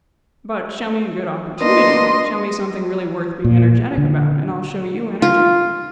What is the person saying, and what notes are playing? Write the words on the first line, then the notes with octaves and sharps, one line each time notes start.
But show me a good opportunity, show me something really worth being energetic about, and I'll show you energy.'
A#3 B3 D4 D#5 C6
A#2
D3
F4